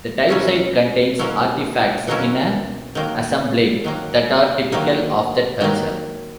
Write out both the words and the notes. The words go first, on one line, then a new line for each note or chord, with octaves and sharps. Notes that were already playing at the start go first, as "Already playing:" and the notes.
A type site contains artifacts, in an assemblage, that are typical of that culture.
B2 F#3 A#3 C#4 E4
B2 F#3 A#3 C#4 E4
B2 F#3 A#3 C#4 E4
D#3 F#3 A#3
D#3 F#3 A#3
D#3 F#3 A#3
D#3 F#3 A#3